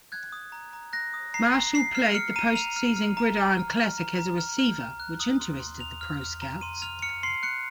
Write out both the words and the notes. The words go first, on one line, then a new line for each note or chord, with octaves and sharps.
Marshall played the post-season Gridiron Classic as a receiver, which interested the pro scouts.
F#6 G#6
D#6
A#5
A#5
F#6 A#6
D#6
A#5 C7
A#5
A#5 C7
F6 C7
F6 C#7
A#5 D#7
A#5 F7
F6
F6
A#5
A#5
F6
F6
A#5
A#5
F6
F6
A#5
F#6
D#6
C6
C6
A#5 F7
F6
F6
A#5
C6 D#7
F6 F7
F6 C#7
C6 C7
F#6 C#7